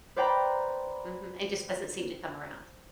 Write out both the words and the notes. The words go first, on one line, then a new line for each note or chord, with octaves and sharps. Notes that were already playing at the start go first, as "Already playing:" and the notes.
Mhm, it just doesn't seem to come around.
B4 C5 D5 G5 A#5 B5